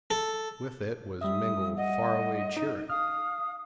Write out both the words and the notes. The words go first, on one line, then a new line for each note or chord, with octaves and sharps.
With it was mingled far-away cheering.
A4
G3 E5 D#6
D#5 F#5
D#4
F5 D#6 F6